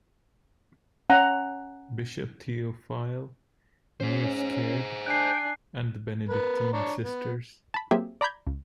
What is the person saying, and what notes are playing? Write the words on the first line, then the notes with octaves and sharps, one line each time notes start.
Bishop Theophile Meerschaert and the Benedictine Sisters.
C#4 F#5 A#5
C#4 G#4 C5
D4 G5 G#5 F#6 C7
B3 A#4 B4
D4 C#5 A#5
B3
A5 B5
F#3 A#3 C4 G4 G#4 E5
D5 A#5 B5 G6 G#6
C#2